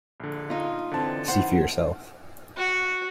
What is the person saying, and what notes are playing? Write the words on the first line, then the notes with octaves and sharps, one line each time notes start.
See for yourself.
A#1 D3
D#4 F4
D3 E3 C4 A5
D#3 E3 E4 C5 F#5 C6
F#4